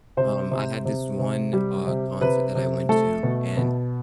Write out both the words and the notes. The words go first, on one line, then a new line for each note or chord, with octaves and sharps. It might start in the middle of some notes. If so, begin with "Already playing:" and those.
Um, I had this one, uh, concert that I went to and,
C3 C5
C3
C3
C3
G3
C3
C3 B4
C3
A3 A4
B2
B2